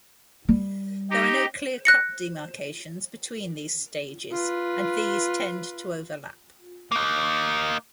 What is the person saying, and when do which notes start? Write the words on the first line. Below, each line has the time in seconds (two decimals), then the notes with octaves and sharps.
There are no clear-cut demarcations between these stages and these tend to overlap.
0.49 G3
1.10 D#4 G4
1.85 F#6 A#6 C#7
4.32 F4 B4
6.92 A#3 D#4